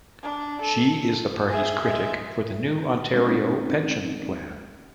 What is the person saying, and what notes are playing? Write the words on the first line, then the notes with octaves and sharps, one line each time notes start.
She is the party's critic for the new Ontario Pension Plan.
D4
A4
G#4 E5
G#3 E5
G#3 C4 C#4 D#4